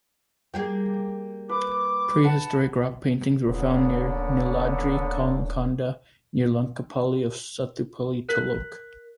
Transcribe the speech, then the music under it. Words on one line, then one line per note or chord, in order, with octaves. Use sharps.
Prehistoric rock paintings were found near Neeladri konda near Lankapalli of Sathupally Taluk.
G3 A#3 G#4 G5
B4 D6
F#5 A5
D#1 D3 A#3 B3 C#4
A#4 F#6 B6 F#7